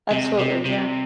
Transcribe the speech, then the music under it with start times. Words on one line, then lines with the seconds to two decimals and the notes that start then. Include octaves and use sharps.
Absolutely, yeah.
0.12 C3
0.39 C3
0.65 C3